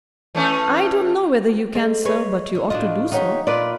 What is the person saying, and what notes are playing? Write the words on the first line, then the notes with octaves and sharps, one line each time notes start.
"I don't know whether you can, sir; but you ought to do so."
E3 A3 C#4
G#3 A4
G#3 B4 C#5
D3
A2 D4 F4 F#4 D#5
D#3 D#4 G4 C#5 F#5
A#2 D4 F4 B4 D5